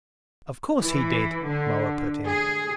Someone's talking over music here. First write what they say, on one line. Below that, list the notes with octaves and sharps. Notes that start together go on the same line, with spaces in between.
"Of course he did," Moa put in.
E3
D3
G#4